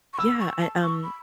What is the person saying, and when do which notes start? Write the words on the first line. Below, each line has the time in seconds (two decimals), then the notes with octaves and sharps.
Yeah, I, um,
0.14 C#6
0.18 B5 E6
0.40 C#6
0.61 A5
0.83 C#6
1.04 B5